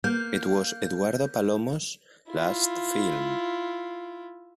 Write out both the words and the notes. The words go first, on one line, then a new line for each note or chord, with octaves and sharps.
It was Eduardo Palomo's last film.
A#3 G6
E4 F4